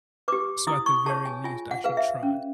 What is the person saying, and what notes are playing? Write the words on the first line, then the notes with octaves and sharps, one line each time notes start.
So, at the very least, I should try.
G4 B4 D6
E4 D#6
C#6
G#4 C#5 A5
G#5
F4 G#5
F#5
G#4 B4 F5
E5
C#4